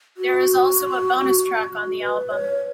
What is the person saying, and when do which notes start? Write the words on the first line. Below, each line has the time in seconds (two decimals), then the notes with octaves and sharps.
There is also a bonus track on the album.
0.17 F#4
2.00 B4
2.31 C#5